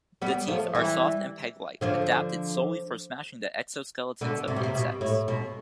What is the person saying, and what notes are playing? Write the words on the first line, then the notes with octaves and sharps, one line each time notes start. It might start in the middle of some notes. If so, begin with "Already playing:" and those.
The teeth are soft and peg-like, adapted solely for smashing the exoskeletons of insects.
G3 B3
F3 A3
E3 G3
D3 F3
B2 D3
C3
B2
C3
B2
A2
B2